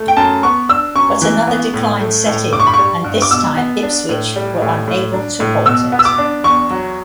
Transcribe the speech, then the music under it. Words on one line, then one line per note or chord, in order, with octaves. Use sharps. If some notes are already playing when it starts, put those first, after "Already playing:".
But another decline set in, and this time Ipswich were unable to halt it.
Already playing: A3
G5
F#2 A5
B3 C#6
D4 E6
F#2 C#6
E3
B3
A2
A3
A2
G2 D6
C#6
B5
G3 C#6
G2
D6
B2 E6
B3
D4
A2
G3
A2
A2
D4
A2
B2 E6
B3
E6
D6
D4
E2 C#6
F#3